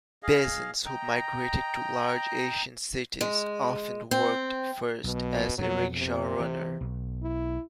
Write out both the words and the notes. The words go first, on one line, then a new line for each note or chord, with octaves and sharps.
Peasants who migrated to large Asian cities often worked first as a rickshaw runner.
G#4 D#5 F5
D#5 G5 A#5
G#3
C4
B1 B2
F2 B2 F#3
C3
E3 C4
B1
E4